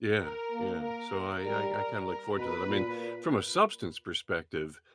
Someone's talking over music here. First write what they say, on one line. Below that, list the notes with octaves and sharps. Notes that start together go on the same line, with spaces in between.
Yeah. Yeah. So I I I kinda look forward to that. I mean, from a substance perspective,
A#4
A#3
A#4
G3 A#4
A#4
A#4
B2 B4
A#2